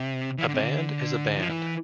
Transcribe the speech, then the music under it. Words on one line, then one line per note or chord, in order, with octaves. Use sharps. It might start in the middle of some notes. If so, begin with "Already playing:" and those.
A band is a band.
Already playing: C3
E3
D3
C3
D3
F3
E3